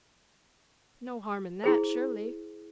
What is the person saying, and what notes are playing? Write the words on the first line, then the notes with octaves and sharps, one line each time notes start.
"No harm in that, surely."
E4 G#4 C5